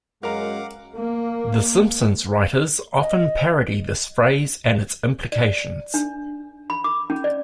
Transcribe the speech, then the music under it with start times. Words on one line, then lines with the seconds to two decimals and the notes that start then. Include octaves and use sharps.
"The Simpsons" writers often parody this phrase and its implications.
0.23 F#2 G#3 A#4 F5 F#5 A#5 D6
0.94 A#3
3.00 D#5
5.32 D5
5.94 D4
6.70 B5
6.84 D6
7.10 C#4
7.24 D5